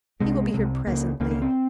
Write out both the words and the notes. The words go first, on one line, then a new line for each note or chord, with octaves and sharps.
He will be here presently.
C2 C3 G#3
C2 C3
C#2 C#3 A#3
C#2 C#3 A#3
A#3
C4